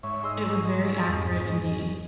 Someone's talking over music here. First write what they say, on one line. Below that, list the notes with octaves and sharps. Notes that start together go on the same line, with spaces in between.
It was very accurate indeed.
G#2 C#5 E5 C#6
G#4 D#5 C6 E6
F2